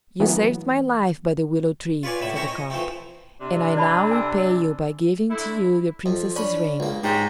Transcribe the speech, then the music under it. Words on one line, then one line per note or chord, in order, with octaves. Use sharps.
"You saved my life by the willow-tree," said the carp, "and I now repay you by giving to you the Princess's ring."
E3 F#3 A3 B3 E4
F4 B4 C#5 D5 G#5
C#2 A2 E5 B5
C4 C#4 E4 C#5 A#5 C#6
D#5
E3 F3 A3 C4
C3 D4
D5 A5 B5
G#5 E6
D3 A3 E4
F2
C#4 D4 B5
C#2 A#3
G#2 C#4 G4